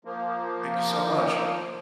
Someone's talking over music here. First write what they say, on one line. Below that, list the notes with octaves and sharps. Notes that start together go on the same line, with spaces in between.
Thank you so much.
F3 A#3